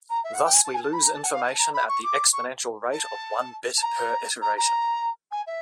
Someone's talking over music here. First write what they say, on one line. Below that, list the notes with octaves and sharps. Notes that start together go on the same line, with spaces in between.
Thus we lose information at the exponential rate of one bit per iteration.
A#5
E5
F#5
G5
G#5
A5
G#5
A5
B5
A#5
A5
F#5
F5
A5
A#5
B5
C#6
D6
C#6
A5
A5
A#5
A#5
A#5
G#5
E5